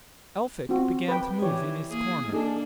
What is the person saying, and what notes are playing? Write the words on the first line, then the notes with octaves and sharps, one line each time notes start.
Elphick began to move in his corner.
C4 F4 F#4
B4 G5
E3 G4 C#5
A#3 G#4
A#3 D4 D#4 G#4 A4